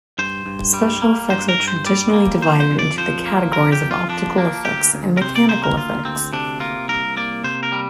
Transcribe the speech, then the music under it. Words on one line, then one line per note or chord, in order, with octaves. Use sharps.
Special effects are traditionally divided into the categories of optical effects and mechanical effects.
G2 C5
G2
G3
A#3
G2 C5
A#4
G2
C5
G3 D5
A#3
F2 C5
C5
F2
D5
F3 C5
A#3
F2 A#4
G4
F2
F4
F3 D4
A#3
D2 G4
D2
A#4
C3 C5
D5
A#3 C5
A#4
D2 F4
D2 C4
C3 D4
A#3 F4
C2 A#4
A#3 D5
C3 C5
A#4
G3